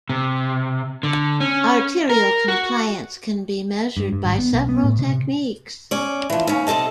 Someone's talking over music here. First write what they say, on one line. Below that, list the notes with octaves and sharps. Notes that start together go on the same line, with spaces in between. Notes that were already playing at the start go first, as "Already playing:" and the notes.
Arterial compliance can be measured by several techniques.
C3
D3
C#4
A#4
F#4
G2
G2
G#1
B3
B1
B3
A2
C3
C#4 D5
E3 F3
D#2 C#4
C3 C4 A4 D#5 A5